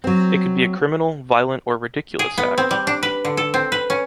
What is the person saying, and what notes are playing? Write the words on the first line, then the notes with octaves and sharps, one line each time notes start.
It could be a criminal, violent, or ridiculous act.
F#3 C4
G#4
B3
C4
G3
D4
B4
D3
A4
C4
B4
C#4